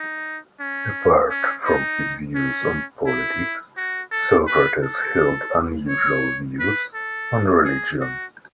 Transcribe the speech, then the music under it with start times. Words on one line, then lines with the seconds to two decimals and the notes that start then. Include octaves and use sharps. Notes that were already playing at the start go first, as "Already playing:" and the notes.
Apart from his views on politics, Socrates held unusual views on religion.
Already playing: D#4
0.60 C#4
1.30 C#4
1.65 D#4
2.35 C#4
3.07 E4
3.77 F#4
4.12 A4
4.47 B4
4.82 A4
5.89 C#5
6.59 B4
6.94 A4
7.65 G#4
8.00 F#4